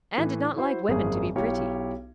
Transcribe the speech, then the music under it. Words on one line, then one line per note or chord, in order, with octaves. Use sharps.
Anne did not like women to be pretty.
A2 E3 A3
E4 F#4 C5
G#1 F#2 G3 A#3 G#4
B1 E4 G4 C#5 F5